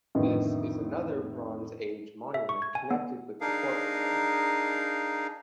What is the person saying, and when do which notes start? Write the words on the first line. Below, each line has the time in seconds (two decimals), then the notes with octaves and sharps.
This is another Bronze Age monument connected with the Portway.
0.15 F2 A2 D3 D#3 B3 D#4
2.34 E5
2.49 C#6
2.62 G#6
2.75 G#5
2.91 B3
3.41 D4 D#4 G#4 A#4 F5